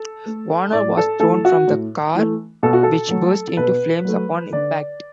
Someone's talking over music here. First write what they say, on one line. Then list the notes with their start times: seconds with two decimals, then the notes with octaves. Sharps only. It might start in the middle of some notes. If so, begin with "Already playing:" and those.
Warner was thrown from the car, which burst into flames upon impact.
Already playing: A4
0.26 A3
0.72 A2 D5
0.97 A4
1.20 E3 A3 A4
1.45 F#4
1.67 A2
2.15 E3 A3
2.63 B2 A4
2.73 F#4
2.83 A4
3.10 F#3 A3
3.57 B2 B4
4.05 F#3 A3
4.52 D3 D5